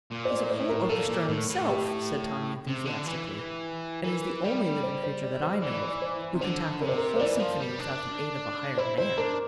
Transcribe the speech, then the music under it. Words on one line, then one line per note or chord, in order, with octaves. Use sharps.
"He's a whole orchestra in himself," said Tommy enthusiastically, "and is the only living creature that I know of who can tackle a whole symphony without the aid of a hired man."
A#2
C5
D5
A2 C5
A#4
A#2 A4
A#2
A2
A2
G4
C3
D3
E3
E3 A#4
G3 D5
C5
C5
D5
C5
E3 D5
D5
C5
C3
D3 C5
C3 A#4
C5
A#4
C5
E3 D5
F3
G3
D4
E4 C5
E4 C5
D4 A#4